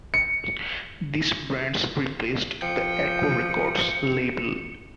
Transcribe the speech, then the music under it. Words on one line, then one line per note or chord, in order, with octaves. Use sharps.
These brands replaced the Aco Records label.
C#7
F3 G5 C#7